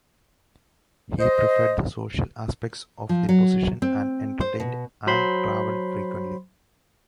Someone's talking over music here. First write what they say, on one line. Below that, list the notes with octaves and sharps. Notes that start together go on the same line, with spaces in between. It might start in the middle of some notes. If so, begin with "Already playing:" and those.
He preferred the social aspects of the position and entertained and travelled frequently.
C5 D#5
F3
F#3
C4
C5
B2
F#3 C5 B5 C6